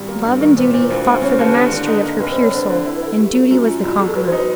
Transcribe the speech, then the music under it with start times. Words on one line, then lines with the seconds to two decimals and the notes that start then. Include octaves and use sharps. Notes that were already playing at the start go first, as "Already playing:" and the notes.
Love and Duty fought for the mastery of her pure Soul: and Duty was the conqueror.
Already playing: G#1 G3
0.08 A#3
0.24 G2
0.41 D#3
0.56 A#2 C5
0.73 A#2 C5
0.82 B4
0.89 D2 C5
1.06 D2
1.13 C5
1.22 C#3 C#5
1.33 C5
1.39 D#2
1.44 B4
1.54 D3
1.72 D3
1.87 D#4
2.03 A#3
2.20 F1 B4
2.31 C5
2.36 F1
2.42 C#5
2.53 D3 C5
2.62 B4
2.69 D3 C5
2.85 E4
2.96 B4
3.02 E4 A4
3.17 A3 G4
3.34 F#3
3.50 F#2 F#4
3.66 F#2 F4
3.83 E1 F4
3.91 F#4
3.99 B2 G#4
4.07 A4
4.15 F#3 B4
4.26 C5
4.32 D#4
4.37 B4